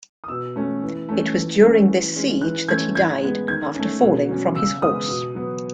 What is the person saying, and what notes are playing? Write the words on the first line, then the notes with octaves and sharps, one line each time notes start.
It was during this siege that he died, after falling from his horse.
D#6
B2 E6
A3 C#4
E3
A3 C#4
E3
A3 C#4
E3
G#3 C#4
E3 F#6
A3 C#4 G#6
A2 G#6
G#3 B3
D#3 G#6
A3 C#4
B2
F#3 C#4
C#3 E6
G#3 B3 D#6
B2
F#3 B3